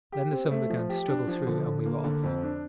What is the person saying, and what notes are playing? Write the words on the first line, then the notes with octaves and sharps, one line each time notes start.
Then the sun began to struggle through and we were off.
G4
C4
A3
F3
G4
D4
F3
D3
D3
A#3
D3
F2
D4